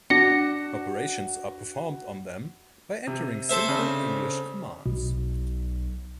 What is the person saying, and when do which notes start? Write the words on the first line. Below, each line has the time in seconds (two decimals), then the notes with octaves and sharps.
Operations are performed on them by entering simple English commands.
0.10 D4 F#4 A#6 C#7
3.07 C3
3.49 A4 C5 E5
3.68 C#3 C4 D4
4.86 B1 B2